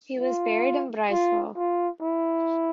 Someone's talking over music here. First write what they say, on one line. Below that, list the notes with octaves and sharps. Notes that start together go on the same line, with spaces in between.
He was buried in Breisgau.
F4
F4
F4
E4